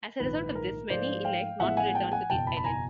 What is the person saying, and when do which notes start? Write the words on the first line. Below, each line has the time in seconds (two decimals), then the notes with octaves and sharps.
As a result of this, many elect not to return to the island.
0.20 A#1 G#2 D#3 B4
0.55 A#4
0.90 G#2 F3 A3 C5 D5
1.24 F5 G5
1.59 A1 A2 F3 G#3 B3 E5 F#5
1.77 F#5 G#5
1.95 G5 A5
2.12 F#5 G#5
2.30 F#1 E2 B2 G5 A5
2.47 A5 B5
2.57 B5
2.64 G#5 A#5